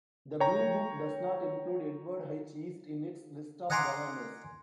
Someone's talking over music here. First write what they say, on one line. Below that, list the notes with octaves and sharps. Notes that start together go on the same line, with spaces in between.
The "Blue Book" does not include Edward H. East in its list of governors.
C#5 G5 A#5
D#5 F#5 G#5 A#5 C6 D6